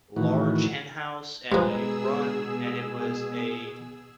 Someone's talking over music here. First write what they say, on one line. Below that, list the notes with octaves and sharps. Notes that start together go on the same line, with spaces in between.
large hen house and a run, and it was a
A2 D#3 E3 F#4
G2 B2 F3 G#3 G#4 B4 A#5 E6